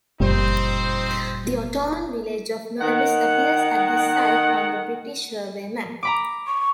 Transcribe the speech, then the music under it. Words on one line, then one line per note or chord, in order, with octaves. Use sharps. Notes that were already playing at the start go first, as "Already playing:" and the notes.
The Ottoman village of Mulebbis appears at this site on the British survey map.
F#1 F2 A#2 G3 C4 D#4 C5
D#3 F#5
A#5 B5 D6
C#6